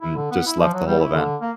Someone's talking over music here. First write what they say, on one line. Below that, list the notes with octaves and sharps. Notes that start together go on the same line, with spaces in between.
and just left the whole event.
E4
D3
B3
E4
F3
F#3
G3
E4
D3
A#3